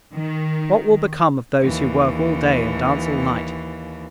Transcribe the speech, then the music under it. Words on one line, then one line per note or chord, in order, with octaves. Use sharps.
What will become of those who work all day and dance all night?
D#3
D#2 E3